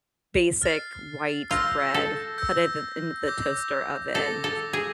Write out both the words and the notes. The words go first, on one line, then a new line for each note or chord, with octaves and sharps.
basic white bread, put it in in the toaster oven,
F6 A6 C7
F4 E6 G6 A#6
A4
E6 G6 A#6
D6 G6 A#6
A4 D6 G6 A#6
A4
G#4